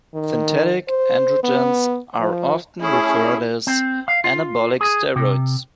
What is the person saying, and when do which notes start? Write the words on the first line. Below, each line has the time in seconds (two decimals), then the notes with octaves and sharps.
Synthetic androgens are often referred to as anabolic steroids.
0.14 D#3
0.89 C5
1.43 B3
2.20 F3
2.81 A3 C#4 E4 G#4
3.67 C4
4.08 F5
4.24 F4
4.81 G#4
5.16 C3